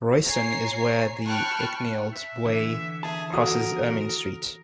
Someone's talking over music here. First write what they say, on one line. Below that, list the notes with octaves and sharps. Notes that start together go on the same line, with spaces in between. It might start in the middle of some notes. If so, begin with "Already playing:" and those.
Royston is where the Icknield Way crosses Ermine Street.
C#5 G#5 A#5 C7
G5 A5 B5 C#6 F6 F#6
E5
D3 E3
G#4 E5 A5
F#4 A4 A#4 D#6